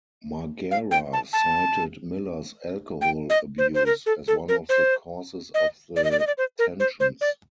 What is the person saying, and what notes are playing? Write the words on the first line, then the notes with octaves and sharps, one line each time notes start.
Margera cited Miller's alcohol abuse as one of the causes of the tensions.
F5
G5
A5
A5
G5
D#5
C5
C5
A#4
A4
A4
A#4
C5
D#5
D5
D#5
D5
D#5
D5
C5
A#4
C5
C5
D5